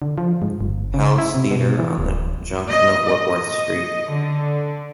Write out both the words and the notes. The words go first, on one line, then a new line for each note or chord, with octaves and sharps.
Palace Theatre on the junction of Whitworth Street.
D3
F3
G#2
G1
C#3
E4
C3
B2
E3
D1
D#5
D#5
D3